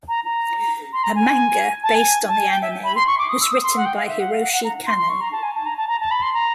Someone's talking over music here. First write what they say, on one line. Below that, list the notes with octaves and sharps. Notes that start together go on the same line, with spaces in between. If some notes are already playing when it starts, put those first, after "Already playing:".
A manga based on the anime was written by Hiroshi Kanno.
A#5
A#5
C6
A#5
G#5
A5
G#5
A5
G#5
G5
E5
B5
C6
C#6
D6
D#6
E6
D#6
C6
F#5
G5
F5
E5
F#5
F5
F#5
F#5
A#5
C6
C6
C#6
A#5
A5
G#5
A5
A#5
A5
A#5
A5
B5
C6
A#5